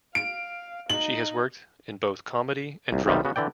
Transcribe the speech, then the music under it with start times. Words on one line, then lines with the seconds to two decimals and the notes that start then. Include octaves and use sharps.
She has worked in both comedy and drama.
0.15 F5 D7
0.90 D#4 F#7
2.92 C2
3.06 B1 C3 D#3 G3
3.25 C#3 B3 F#4
3.36 D3 E3 D5 G5